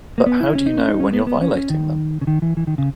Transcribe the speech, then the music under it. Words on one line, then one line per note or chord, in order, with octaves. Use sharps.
But how do you know when you're violating them?
A#3
B3
E4
C#4
D#4
C#4
D#4
C#4
B3
B3
C#4
C#4
D#3
C#3
D#3
E3
E3
D#3
C#3